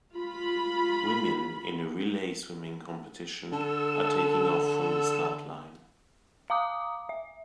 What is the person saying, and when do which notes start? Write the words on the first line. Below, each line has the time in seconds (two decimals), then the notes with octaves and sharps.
Women in a relay swimming competition are taking off from the start line.
0.14 F4 B5
3.52 D3 A4 E6
6.50 F5 A#5 D6 D#6
7.09 E5